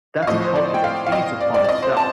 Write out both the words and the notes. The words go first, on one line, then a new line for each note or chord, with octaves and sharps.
that's a culture that feeds upon itself.
F5
A2 F3 D#5
C5
D5
G5
F5
F5
D#5
D5
D5
D5
D#5
C5
A5